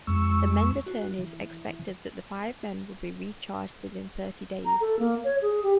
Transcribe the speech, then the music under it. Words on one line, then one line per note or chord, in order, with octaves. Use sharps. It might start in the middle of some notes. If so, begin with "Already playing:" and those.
The men's attorneys expected that the five men would be re-charged within thirty days.
F2 G#3 C#6 E6
F#4
E3
A#5
A4
A#3
C#5
G#4
G4